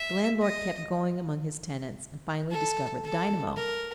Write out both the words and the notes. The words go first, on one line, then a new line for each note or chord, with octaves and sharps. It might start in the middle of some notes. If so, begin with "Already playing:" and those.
The landlord kept going among his tenants and finally discovered the dynamo.
Already playing: E5
D#5
A4
A4
A#4